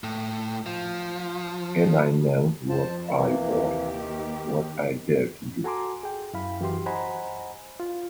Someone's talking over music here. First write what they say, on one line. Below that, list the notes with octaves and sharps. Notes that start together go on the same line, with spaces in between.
Had I known what I ought, what I dared to do!
A2
F3
F2 F3 C5 A5
C3 E3 A#3
D#2 G4
D#3
F#4 A4 G#5 A#5 C6 D6
G#4 G5
F#2 E4 F5 B5
F#2 E3 F#4 G4 C6
C5 D#5 F#5 G#5 A#5 B5
F4